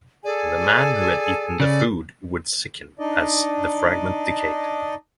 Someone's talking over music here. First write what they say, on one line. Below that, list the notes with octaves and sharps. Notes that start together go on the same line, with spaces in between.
The man who had eaten the food would sicken as the fragment decayed.
G#4 A4 D5 G#5
C#3 D5
D4 D#4 D5 D#5